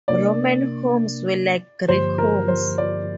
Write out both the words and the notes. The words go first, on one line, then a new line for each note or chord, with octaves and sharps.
Roman homes were like Greek homes.
C3 A#3 D4 A#4 D5
G2 D3 F3 A#3 G4 C5
A#4
C5
D5